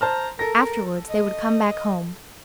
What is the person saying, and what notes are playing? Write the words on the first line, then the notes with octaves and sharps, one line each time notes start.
Afterwards they would come back home.
C5 A5 A#5 F6
A4 A#4 A#6
D#5